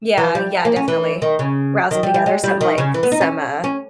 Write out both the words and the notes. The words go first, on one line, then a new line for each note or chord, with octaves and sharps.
Yeah, yeah, definitely. Rousing together some, like some, uh
E3
G3
A#3
C#4
E3
D#3
C#3
D#3
G3
G3
G#3
G3
D#3
C#3
E3
B3
D#4
C#4
C#4